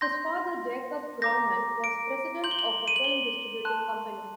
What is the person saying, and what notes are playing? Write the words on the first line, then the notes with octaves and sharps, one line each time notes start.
His father, Jacob Grauman, was president of a film distributing company.
C6 G6 A#6
A#5 D6 G6 A#6
D7
C6 G6 F#7
G7
F#7
D#7
F#7
G7
A5 C6 F#6